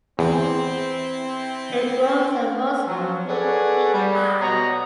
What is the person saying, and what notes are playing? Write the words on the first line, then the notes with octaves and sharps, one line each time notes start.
It grows at most three feet high.
E2 C4 E4
F3 F#3
G#4 A4 B4 C#5 D5 F#5
G3
B2 C#5 D#5 F#5 A#5